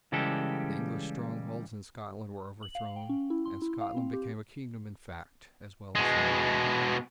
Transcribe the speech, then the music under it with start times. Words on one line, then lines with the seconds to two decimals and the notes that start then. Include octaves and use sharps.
The English strongholds in Scotland were overthrown, and Scotland became a kingdom in fact as well as in name.
0.12 C#3 E3 G3 G#3 G4 A4
2.63 F#7
2.75 F5
2.96 G5
3.09 C#4
3.30 E4
3.45 C6
3.62 E4
3.81 F5
3.97 C4
4.13 G4
5.95 B2 G#3